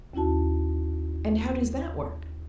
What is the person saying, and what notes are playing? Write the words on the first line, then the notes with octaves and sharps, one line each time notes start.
"And how does that work?"
D#2 C#4 E4 F#4 A5